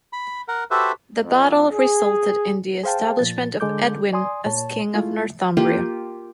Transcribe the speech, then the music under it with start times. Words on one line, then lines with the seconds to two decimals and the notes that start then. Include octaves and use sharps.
The battle resulted in the establishment of Edwin as king of Northumbria.
0.13 B5
0.48 A#4 F#5
0.71 F#4 G4 A4 B4 C5 E5
1.22 F2
1.73 G#4
2.83 G#4 C5 F5 G5 A5
3.19 A#2 F3 A6
3.60 D3 G#3 A4 D6 G6
4.13 D5 G#5 C6 D#6
4.45 A#2 C#5 A5
4.94 G#3 A3 E4 F4
5.57 A#3 F4 G4